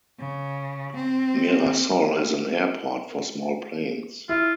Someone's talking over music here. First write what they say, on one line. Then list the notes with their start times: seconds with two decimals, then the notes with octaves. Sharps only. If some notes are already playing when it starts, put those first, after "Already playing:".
Mirassol has an airport for small planes.
0.19 C#3
0.95 C4
4.29 E4 F4